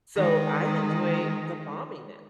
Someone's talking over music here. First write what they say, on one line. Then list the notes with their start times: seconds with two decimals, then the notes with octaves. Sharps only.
So I enjoy the balminess
0.15 D#3 G#3